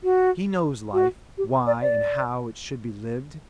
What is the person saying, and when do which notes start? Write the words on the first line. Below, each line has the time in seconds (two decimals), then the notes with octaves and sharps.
He knows life, why and how it should be lived.
0.04 F#4
0.93 F#4
1.38 G4
1.67 D5
1.82 D5